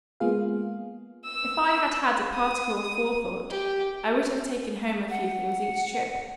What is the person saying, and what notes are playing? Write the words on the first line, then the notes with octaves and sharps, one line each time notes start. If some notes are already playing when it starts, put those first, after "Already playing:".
If I had had a particle of forethought I would have taken home a few things each trip.
G#3 A#3 B3 F4 G#4 F5
E6
D#6
G4
F#5